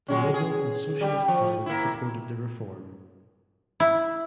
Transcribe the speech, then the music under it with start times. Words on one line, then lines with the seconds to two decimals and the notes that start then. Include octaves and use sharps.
The Liberal and Socialist party supported the reform.
0.08 F#3 G#3 C#4
0.34 G#4
1.01 G3 G4
1.28 F3
1.66 A#3 E4
3.80 E4